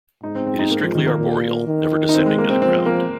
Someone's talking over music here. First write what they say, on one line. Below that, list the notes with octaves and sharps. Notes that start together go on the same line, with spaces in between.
It is strictly arboreal, never descending to the ground.
G#2 D#4
C4
C4
D#4
A#3
F3
D#3
A#3
A#2
D#3
D#4
C4
G#3
A#3
C4
F3 C4
A#3